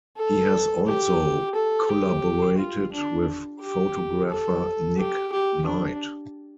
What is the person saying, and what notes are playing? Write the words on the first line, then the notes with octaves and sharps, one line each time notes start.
He has also collaborated with photographer Nick Knight.
A4
G4
A4
G4
F4
D4
G4
A4
G4
G4
D4